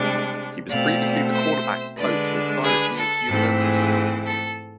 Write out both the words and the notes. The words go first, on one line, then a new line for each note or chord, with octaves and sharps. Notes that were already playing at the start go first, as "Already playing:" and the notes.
He was previously the cornerbacks coach at Syracuse University.
Already playing: C3 G#3 D4
B2 A3 C4 D5 F5
C5 E5
D3 G#3 D4 B4 D5
G#4 B4
A4
G#2 E3 A3 C4
G#4
A4